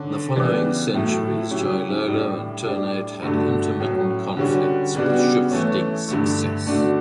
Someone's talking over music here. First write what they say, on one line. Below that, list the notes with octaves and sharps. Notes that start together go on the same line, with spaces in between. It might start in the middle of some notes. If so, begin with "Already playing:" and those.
In the following centuries Jailolo and Ternate had intermittent conflicts with shifting success.
Already playing: D3 C#4
C#3 E3 G3 B3 D4
A2 F#3 A3 E4
C#3 F#3 C#4 E4 G4
A2 G3 D4
A2 G3 D4
G2 D3 A3 D4 F#4
A2 F#3 C#4
D3 G3 C#4 F#4
C#3 G3 B3 D4 F#4
E3 A3 C#4
G2 D3 A3
D3 A3 D4 F#4